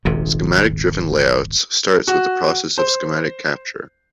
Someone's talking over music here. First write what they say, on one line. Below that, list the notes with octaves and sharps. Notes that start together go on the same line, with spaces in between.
Schematic-driven layout starts with the process of schematic capture.
D#1 G#1 G#2 C3
F#4
C5